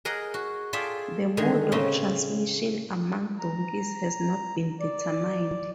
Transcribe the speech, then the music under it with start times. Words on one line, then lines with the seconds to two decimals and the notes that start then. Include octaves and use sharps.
The mode of transmission among donkeys has not been determined.
0.05 G#4 A#4 D#5 F#5
0.34 F#4
0.73 F4 G#4 A4 D5 E5 G5
1.37 D3 D#3 G#4
1.72 A2 C#3 C4 C#4 D#5
3.39 A#5
4.80 D5